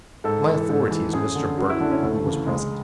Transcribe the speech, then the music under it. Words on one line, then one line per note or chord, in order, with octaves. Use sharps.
"My authority is Mr. Burton, who was present."
G#2 A4
E3
G#2
E3
F#2 G#4
D3
F#2 F#4
E4
D3 D4
C#4
D2 A3
C#3 E3
C#2 G#3